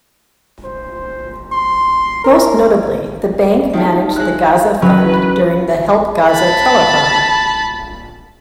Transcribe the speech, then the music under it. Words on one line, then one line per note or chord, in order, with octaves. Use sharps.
Most notably, the Bank managed the Gaza Fund during the Help Gaza Telethon.
C5
C6
A#4
D#3 G3 A3
G#3 E4 F#6
F#3 C#4 B4
A5 B5